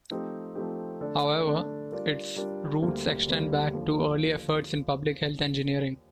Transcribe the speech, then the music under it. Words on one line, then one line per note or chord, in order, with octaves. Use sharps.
However, its roots extend back to early efforts in public health engineering.
F3 A3 C4 D#4 G4
F3 A3 C4 D#4 G4
D3 A3 D4 A4
D3 A3 D4 A4
G3 D4 F4 A#4 D5
G3 D4 F4 A#4 D5
D2 D3 G3 A#3
D2 D3 G3 A#3
D#2 D3 F3